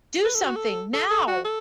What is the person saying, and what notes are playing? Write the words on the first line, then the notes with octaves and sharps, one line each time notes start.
Do Something Now!
B4
A4
F#4
A4
A4
A4
F#4
A4